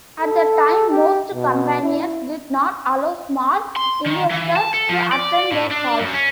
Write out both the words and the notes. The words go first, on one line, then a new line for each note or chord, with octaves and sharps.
At the time, most companies did not allow small investors to attend their calls.
A4
G4
B2
E4
C6
D#3
E3
A5
A4
F3
D5
A2
D4
F#2
C#4